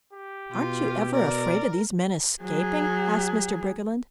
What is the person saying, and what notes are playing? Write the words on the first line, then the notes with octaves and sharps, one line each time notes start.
"Aren't you ever afraid of these men escaping?" asked Mr. Briggerland.
G4
B2 F4
A#4 D5
F#3 G#4